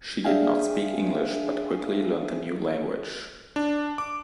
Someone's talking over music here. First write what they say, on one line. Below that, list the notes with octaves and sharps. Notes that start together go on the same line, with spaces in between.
She did not speak English but quickly learned the new language.
D4 G#4 E5 F5 G5 G#5
D4
D6